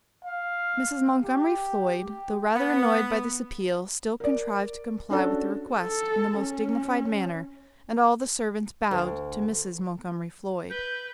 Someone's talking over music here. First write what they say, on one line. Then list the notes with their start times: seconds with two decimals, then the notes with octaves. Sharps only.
Mrs. Montgomery Floyd, though rather annoyed by this appeal, still contrived to comply with the request in the most dignified manner; and all the servants bowed to Mrs. Montgomery Floyd.
0.24 F5
1.23 G4
2.04 G4
2.55 B3
4.20 A#4 D5
5.10 C#4 D4 F#4 A4
5.80 A4
6.39 C#4
8.91 D2
10.70 B4 G6